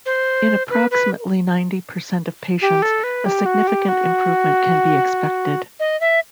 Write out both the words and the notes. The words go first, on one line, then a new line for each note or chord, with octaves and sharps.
In approximately ninety percent of patients, a significant improvement can be expected.
C5
B4
B4
G4
A4
B4
G4
F#4
G4
F#4
D#5
E5